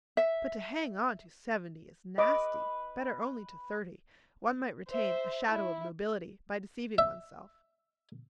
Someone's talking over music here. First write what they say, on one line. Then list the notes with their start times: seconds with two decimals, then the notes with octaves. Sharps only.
But to hang on to seventy is nasty, better only to thirty; one might retain 'a shadow of nobility' by deceiving oneself.
0.17 E5
2.18 B4 D#5 D6
4.88 C5 E5
5.49 E4
6.98 E5